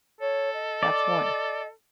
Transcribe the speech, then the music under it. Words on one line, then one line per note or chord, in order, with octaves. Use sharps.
that's one.
A4 C#5
D#5
D5